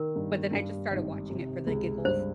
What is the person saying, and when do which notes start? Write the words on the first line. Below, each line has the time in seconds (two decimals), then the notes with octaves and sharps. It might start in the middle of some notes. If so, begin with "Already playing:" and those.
but then I just started watching it for the giggles.
Already playing: D#3 A#4
0.16 G2
0.53 G2
0.91 G#1
1.30 C3
1.67 C#2
2.05 G2 C5